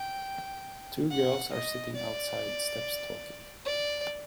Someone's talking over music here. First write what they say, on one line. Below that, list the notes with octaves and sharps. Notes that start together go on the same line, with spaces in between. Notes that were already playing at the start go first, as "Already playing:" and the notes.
Two girls are sitting outside steps talking.
Already playing: G5
F#5
D#5
D5
D5